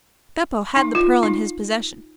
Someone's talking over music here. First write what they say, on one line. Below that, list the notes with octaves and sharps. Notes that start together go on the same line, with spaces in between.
Beppo had the pearl in his possession.
D#4
F4
D#4